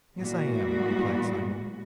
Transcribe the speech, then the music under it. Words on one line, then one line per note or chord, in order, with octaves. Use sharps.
'Yes, I am,' replied Simon.
A#2 E3 G3 G#3 B3 F#4